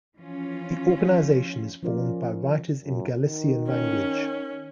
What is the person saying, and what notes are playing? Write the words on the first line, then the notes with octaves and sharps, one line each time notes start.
The organization is formed by writers in galician language.
E3 F3 C#4 F4
F3 C#4 F4 A#4 D5
F#2
D#3
C#4